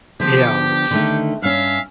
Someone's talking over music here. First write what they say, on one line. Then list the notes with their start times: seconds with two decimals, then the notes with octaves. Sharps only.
a, um, s
0.20 D3 F3 B3 G4
0.91 D3 D#3 A3
1.42 G2 C#4 E5 F5